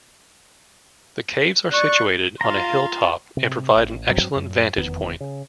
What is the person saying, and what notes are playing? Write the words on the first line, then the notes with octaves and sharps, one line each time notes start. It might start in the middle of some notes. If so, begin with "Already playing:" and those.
The caves are situated on a hilltop and provide an excellent vantage point.
D5 C#6 F#6
F4 F5 A#5 C6
C3
A1
G2 F#3 G#3 C4
F#2
F1 E2 D#3 B3
C#3